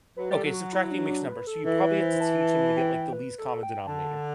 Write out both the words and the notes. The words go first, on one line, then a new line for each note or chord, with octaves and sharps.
Okay, subtracting mixed numbers, so you probably have to teach them to get, like, the least common denominator,
F#3 B4
G3
A4
F#3
F#4
E4
D4
D4
B4
A4
E3 A4
B4
C5
A5
A5
G5
B4
A4
G5
D3 A5